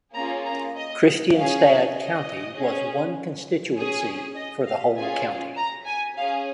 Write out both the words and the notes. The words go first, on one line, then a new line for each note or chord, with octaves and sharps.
Kristianstad County was one constituency for the whole county.
A#3 C#4 F4 G#4 A#5
A#5
D#5
C#4 G#4 F5
C#5
D#5
C#4 G#4
C#4 G#4
D#5
F5
C#4 F4 G#4 G#5
A#5
G#5
C#4 G#4 F5